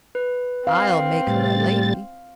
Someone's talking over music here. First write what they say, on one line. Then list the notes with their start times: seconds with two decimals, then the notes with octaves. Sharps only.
"I'll make her a lady."
0.15 B4
0.67 C4 F5
1.27 A2 G3 A6